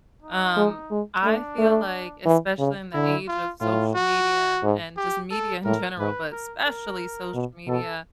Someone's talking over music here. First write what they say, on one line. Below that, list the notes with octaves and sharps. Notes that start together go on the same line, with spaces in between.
Um, I feel like, especially in the age of social media and and just media in general, but especially social media,
D#4
G#3
G#3
A3 D4
A3
E3
C#3
D3 E4
F4
A2 F4
F#4
G#2
G4
A4
A2 A#4
G#2 B4
A#4
A#4
B2
B2 A4